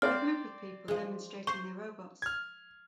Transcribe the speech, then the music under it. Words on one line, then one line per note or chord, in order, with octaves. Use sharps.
A group of people demonstrating their robots.
C4 D5 F6
F3 G#3
C5 C#6
F6 G#6